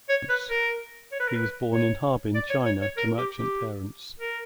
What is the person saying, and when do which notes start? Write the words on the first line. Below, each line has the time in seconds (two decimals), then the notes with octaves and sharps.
He was born in Harbin, China to merchant parents.
0.09 C#5
0.29 B4
0.50 A#4
1.12 C#5
1.20 B4
1.28 A#4
1.37 B4
1.73 C#5
2.35 D5
2.50 C#5
2.65 C#5
2.82 C#5
2.97 A#4
3.18 G4
3.38 G4
4.20 A#4